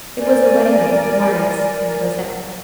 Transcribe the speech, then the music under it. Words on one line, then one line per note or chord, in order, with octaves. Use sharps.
It was the wedding night of Marius and Cosette.
A#4 D5 G#5